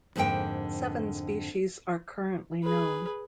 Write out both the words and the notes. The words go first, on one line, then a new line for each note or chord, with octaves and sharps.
Seven species are currently known.
F2 G#2 D3 A#3 G5
G#4 B4